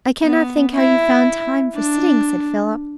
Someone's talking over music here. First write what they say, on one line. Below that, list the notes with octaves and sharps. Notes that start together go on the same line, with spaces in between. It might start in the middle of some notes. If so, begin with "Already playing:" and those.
'I cannot think how you found time for sitting,' said Philip.
B3
E4
D4